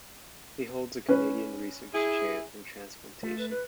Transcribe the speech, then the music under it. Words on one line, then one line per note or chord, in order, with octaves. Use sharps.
He holds a Canadian Research Chair in transplantation.
C#4 B4
E4 G#4
A3 F4
B4
B4